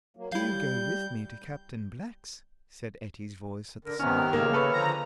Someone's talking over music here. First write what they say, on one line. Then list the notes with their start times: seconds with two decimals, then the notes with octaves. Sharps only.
"Do go with me to Captain Black's," said Etty's voice at the side door.
0.17 F#3 A#3
0.32 G3 E4 F5 G6
3.85 D3 A#4
3.99 C3 D#3 B3 C#4 F6
4.33 C#3 A#3
4.53 A4 B4 C#5
4.73 D3 F3 A#5